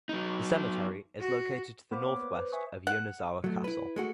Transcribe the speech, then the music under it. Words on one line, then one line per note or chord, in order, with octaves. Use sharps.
The cemetery is located to the northwest of Yonezawa Castle.
F#3 D#4
F#4
A#3 B3 C5 B5 D6
C#5 D6
B4
B4 C5
E5 G#5 C#6 D#6
F#5
F#3 A3
E4 B4
G#3 A3 F#4